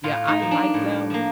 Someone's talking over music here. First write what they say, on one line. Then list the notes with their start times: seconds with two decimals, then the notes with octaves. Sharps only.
Yeah, I like them,
0.03 A2 F4
0.28 D#4
0.39 F3 A#3
0.51 D4
0.74 A2
1.10 F3 A#3